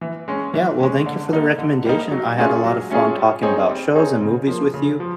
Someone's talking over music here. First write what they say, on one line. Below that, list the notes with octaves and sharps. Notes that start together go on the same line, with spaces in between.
Yeah, well, thank you for the recommendation. I had a lot of fun talking about shows and movies with you,
E3
G#3 C#4
E3
G#3 C#4
D3
G3 A#3 D#4
D3
G3 A#3 D#4
F#3
A3 C#4 F4 G#4
F#3
A3 C#4 F4 G#4
G3
C4 D#4 G#4 C#5
G3
C4 D#4 G#4 C#5
C#3
F3 A#3
C#3
F3